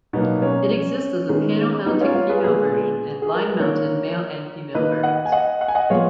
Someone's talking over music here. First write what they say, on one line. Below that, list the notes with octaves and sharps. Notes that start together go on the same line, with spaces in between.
It exists as a panel-mounting female version, and line-mounted male and female versions.
B2 F#3 A#3 B3 D#4
C#4
C#4
D#3 G#3 B3
B3 D#4
C#4 F4
C#4 F4
G#4 B4
A#2 G#3 B3 G#4 B4
G#4
A#4
B4
D#3 A#3 A#4 C#5
D#3 A#3 B4 D#5
D#5 F#5
G#5
D#5 F#5
F#5
G#5
D#5 F#5
A#2 F3 G#3 B3 C#5 F5